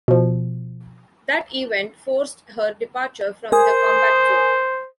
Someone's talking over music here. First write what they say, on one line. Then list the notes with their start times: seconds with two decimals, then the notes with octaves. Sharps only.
That event forced her departure from the combat zone.
0.08 B2 F3
3.52 A#4 C5 G#5 D#6